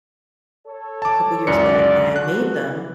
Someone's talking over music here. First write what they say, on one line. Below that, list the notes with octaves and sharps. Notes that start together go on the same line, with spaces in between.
a couple years back, I made them,
A4 C#5
A5 D6
C#2 F#2 D5 C#7
F#1 D3 F#4 F#6
E3